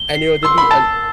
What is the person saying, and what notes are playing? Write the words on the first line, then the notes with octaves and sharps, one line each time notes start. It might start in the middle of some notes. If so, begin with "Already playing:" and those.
and, you know, to be an
Already playing: G7
C7
C6 E6
B5
A5 A6